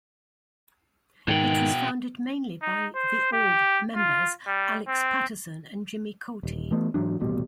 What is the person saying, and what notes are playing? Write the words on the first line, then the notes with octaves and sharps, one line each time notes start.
It was founded mainly by The Orb members Alex Paterson and Jimmy Cauty.
G#2 B2 D#3 G5
D#4
C5
G4
F4
G3
C4
D#1
E3 A3 B3
G#2 E3 F#3 D4
D#1 A1 B2 G3